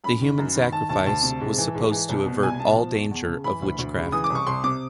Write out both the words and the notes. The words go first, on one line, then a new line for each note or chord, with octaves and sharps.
The human sacrifice was supposed to avert all danger of witchcraft.
F#2 B5
D#3
F#2
D#3
D#3 A5
D2 A5
D2 A5
C3
G#2
E3
G#2
E3
C2
B2
C2 G#5
B2 A5
F3
E2
E2
C#3
E3 B5
D2
D2
C#3
E3 D#6
D6
C2
C#6
C2 C6
C3 D6